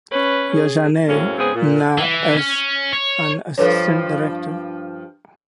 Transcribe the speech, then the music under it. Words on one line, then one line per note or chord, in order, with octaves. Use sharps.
Ya Jaane Na as an assistant director.
C#4 B4
G#4
F#2 A2 G#3 A#3 C4 C#4
G#2 C#3 G#3 B3 C4 G#4
A#2
E3
C#4
C#5
G2 F3 A4 B4 C#5